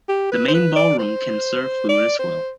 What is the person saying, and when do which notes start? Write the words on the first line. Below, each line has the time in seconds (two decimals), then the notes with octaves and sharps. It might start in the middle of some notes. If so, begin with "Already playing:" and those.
The main ballroom can serve food as well.
0.09 G4
0.32 B4
0.48 C5
0.54 B4
0.76 D5
0.99 C5
1.89 D5
2.19 C5